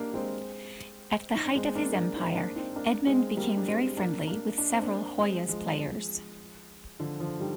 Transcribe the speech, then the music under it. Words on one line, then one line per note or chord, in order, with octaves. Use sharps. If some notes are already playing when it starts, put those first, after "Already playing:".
At the height of his empire, Edmond became very friendly with several Hoyas players.
Already playing: G3 A#3 D4
G#3 C4
D#4
D4
G#3 C4
A#3 D4
A#3 D4
C4 D#4
A#3 D4
C4 D#4
A#3 D4
G#3 C4
G3 A#3
D4
G#3 C4
A#3 D4
A#3 D4
D4
C4
A#3 D4
G#3 C4
F3 G#3
D3 F3
D3 F3
D#3 G3